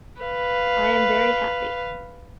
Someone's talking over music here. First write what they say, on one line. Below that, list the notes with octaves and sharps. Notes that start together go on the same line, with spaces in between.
I am very happy.
B4 F5